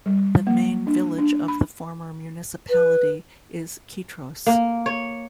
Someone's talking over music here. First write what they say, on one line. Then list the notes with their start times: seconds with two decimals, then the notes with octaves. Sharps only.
The main village of the former municipality is Kitros.
0.06 G3
0.47 A#3
0.87 D4
1.19 D4
1.48 B5
2.70 B4
4.47 A#3
4.86 C#5